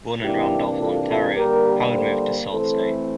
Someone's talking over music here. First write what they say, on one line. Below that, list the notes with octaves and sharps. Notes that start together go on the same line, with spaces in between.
Born in Randolph, Ontario, Howard moved to Sault Ste.
C3 E3 A#3 D4 E4 G4
F4 A4
F4 A4
D3 G3 A#3 G4 A#4
A4 C5
E3 A3 C4 A4 C5